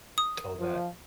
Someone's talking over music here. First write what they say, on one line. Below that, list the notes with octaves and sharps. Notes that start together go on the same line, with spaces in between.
all that,
D#6
F3